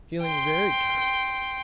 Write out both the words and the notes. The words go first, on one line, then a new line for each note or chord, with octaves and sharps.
Feeling very tired.
G5 C6